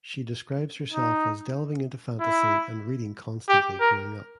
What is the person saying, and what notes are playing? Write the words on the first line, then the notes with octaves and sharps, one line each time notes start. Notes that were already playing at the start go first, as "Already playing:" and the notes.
She describes herself as "delving into fantasy and reading constantly" growing up.
D#4
E4
G4
A#4